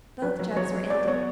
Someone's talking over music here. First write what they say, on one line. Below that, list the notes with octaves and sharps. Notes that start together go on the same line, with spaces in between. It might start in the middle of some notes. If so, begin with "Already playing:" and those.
Both jugs were empty.
F#3 B4
F#3
F#3 C#5
F#3
B3 D5
B3 C#5